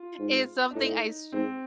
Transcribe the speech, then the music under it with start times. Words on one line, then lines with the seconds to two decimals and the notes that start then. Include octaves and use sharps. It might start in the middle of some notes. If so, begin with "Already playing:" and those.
is something I s
Already playing: F4
0.19 G#2
0.71 D4
0.75 A2 D#4
1.32 G#2 C4